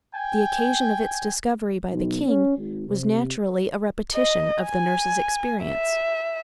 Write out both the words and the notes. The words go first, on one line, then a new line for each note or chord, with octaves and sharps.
The occasion of its discovery by the king was naturally a repetition of the nurse's experience.
G5 G#5
B1
C#4
G#1
C3
D#5
G#5
E5